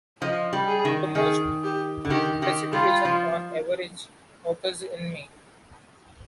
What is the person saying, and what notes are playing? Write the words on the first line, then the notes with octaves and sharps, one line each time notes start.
The most precipitation on average occurs in May.
F3 D#5
G3
G#4
D#3
D#3 G#4
G4
D3
D#3 G4
D#3 G4
G3 F4
F3